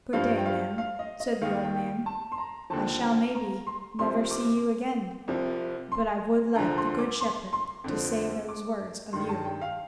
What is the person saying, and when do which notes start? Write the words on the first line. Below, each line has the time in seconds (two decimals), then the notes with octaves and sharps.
'Good-day, ma'am,' said the old man; 'I shall, maybe, never see you again; but I would like the Good Shepherd to say those words of you.'
0.13 G2 F3 F5
0.38 G5
0.46 F5
0.78 F5
0.99 D#5
1.20 D#5
1.41 D#2 D#3 F5
1.63 G5
2.06 A5
2.32 C6
2.38 A#5
2.70 D#2 D3 F3 A5
3.35 A#5
3.67 C6
3.99 C2 C3 F3 C6
4.31 D6
5.28 C2 C3 F3
5.92 C6
6.55 D2 D3 F3 A#5
6.78 C6
6.99 D6
7.21 C6
7.53 C6
7.84 F2 D3 F3
8.49 D6
9.13 G2 D#3 C6
9.29 A5
9.45 G5
9.62 F5